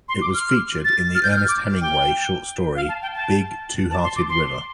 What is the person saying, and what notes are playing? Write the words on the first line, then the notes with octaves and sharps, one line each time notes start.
It was featured in the Ernest Hemingway short story "Big Two-Hearted River".
C6
D6
F6
A6
F6
G6
F6
D6
G5
F5
A5
G5
A5
A5
C6
D6
C6